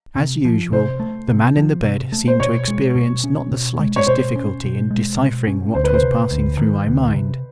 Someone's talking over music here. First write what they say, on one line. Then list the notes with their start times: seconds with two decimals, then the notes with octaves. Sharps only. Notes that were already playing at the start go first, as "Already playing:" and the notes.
As usual, the man in the bed seemed to experience not the slightest difficulty in deciphering what was passing through my mind.
0.16 C3
0.45 F3
0.72 C3 C5
1.00 A3
1.28 C3
1.57 F3
1.83 C3
2.12 A3
2.28 C5
2.40 B2 C#5
2.68 G#3
2.96 B2
3.24 C#4
3.51 B2
3.79 G#3
3.96 C#5
4.07 B2 C5
4.36 C#4
4.64 B2
4.91 G#3
5.18 B2
5.47 C#4
5.75 D2 C5
5.84 B4
5.94 C5
6.03 C3
6.31 D2
6.59 D#3
6.87 D2
7.14 C3